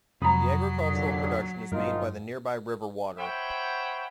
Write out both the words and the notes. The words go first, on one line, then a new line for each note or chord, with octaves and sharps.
The agricultural production is made by the nearby river water.
F2 C3 F#3 A#5 B5 D#6
D#2 A#2 D3
G#1 G2 D#4 F4 A#4
C5 C#5 E5 F#5 G5 B5